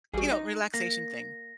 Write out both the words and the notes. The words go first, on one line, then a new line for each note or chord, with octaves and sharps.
you know, relaxation thing.
A1 G3 F#4 G#4
D#4 D#5
A#3 A#6